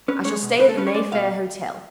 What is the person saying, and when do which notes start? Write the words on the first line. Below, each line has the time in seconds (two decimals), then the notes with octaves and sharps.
I shall stay at the Mayfair Hotel.
0.08 C#4 B4
0.25 G#3 C#5
0.43 B2
0.59 C#2 B4
0.69 A4
0.77 C#4 B4
0.87 C#5
0.94 G#3 D5
1.12 B2 F5